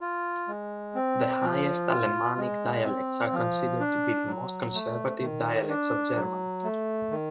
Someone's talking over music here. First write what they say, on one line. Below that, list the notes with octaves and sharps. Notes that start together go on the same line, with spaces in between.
The Highest Alemannic dialects are considered to be the most conservative dialects of German.
F4
G#3
C4
F3
F4
G#3
C4
F3
D4
F#3
A3
D#3
D4
F#3
A3
D#3